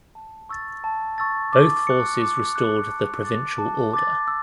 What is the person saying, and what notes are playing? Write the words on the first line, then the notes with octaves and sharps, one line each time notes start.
Both forces restored the provincial order.
A5
C#6 E6 A6
A5
C#6 E6 A6
D6
F#6 C#7
D6
F#6 C#7
A5
D6 A6
A5
D6 A6
E6